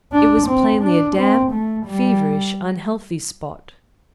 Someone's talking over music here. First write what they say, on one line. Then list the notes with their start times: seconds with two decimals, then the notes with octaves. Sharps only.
It was plainly a damp, feverish, unhealthy spot.
0.13 D4
0.48 C4
0.82 D4
1.17 C4
1.52 A3
1.87 G3